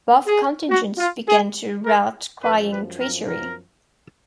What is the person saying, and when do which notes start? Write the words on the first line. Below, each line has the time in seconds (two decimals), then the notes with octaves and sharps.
Both contingents began to rout crying 'treachery'.
0.27 G#4
0.69 F#4
0.98 F4
1.28 G#4
1.84 A#4
2.41 F#2 F3 B4
2.70 B4
2.99 A#4
3.28 A#4